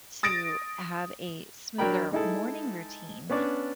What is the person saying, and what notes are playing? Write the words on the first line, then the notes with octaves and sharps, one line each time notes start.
to have a smoother morning routine,
D#6 A6 A#6 D7
F#3 D4 A#4 G5 B5
G#3 D#4 E4 G#4 A4
B3 C#4 D4 D5